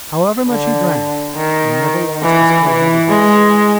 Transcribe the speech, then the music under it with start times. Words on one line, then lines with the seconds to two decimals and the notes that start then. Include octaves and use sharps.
However much he drank, he never lost his clearheadedness.
0.49 D3
1.36 D#3
2.23 E3
2.66 E3
3.09 G#3